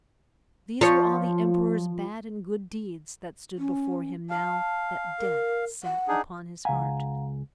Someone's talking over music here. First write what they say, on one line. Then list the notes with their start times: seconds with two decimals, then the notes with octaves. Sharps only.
These were all the Emperor's bad and good deeds, that stood before him now that Death sat upon his heart.
0.81 F3 C#5
3.58 C#4
4.30 F5 A5
5.20 A#4
5.83 F#5
6.08 D4 D#4 G#4
6.65 C#2 F5 F#5 G#5 A#5